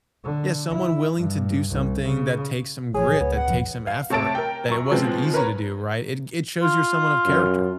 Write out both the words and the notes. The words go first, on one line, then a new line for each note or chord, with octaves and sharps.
Yeah, someone willing to do something that takes some grit, that takes some effort, that it wasn't easy to do, right? It g it shows you're someone of character.
D3
E4
G2
C2
C#3
A1 F3 G#4 C#5
C#2 B3
F#5
E1 A1 F3
F5
C3 A3 C#5 A5 A6 D7
A#4 G5
F#2 A#5 C#6
C#3 F3 F#3 G#3 B3 C4
A#4 B4 C#5 A#5
F4
F#2